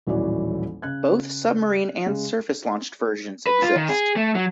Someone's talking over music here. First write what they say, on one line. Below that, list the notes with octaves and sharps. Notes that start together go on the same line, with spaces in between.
Both submarine- and surface-launched versions exist.
D#1 A1 E3 F#3 D5
C#3 F#6 G#6
C#3 G#3
B4
F4
D#3
G#4
A3
F#3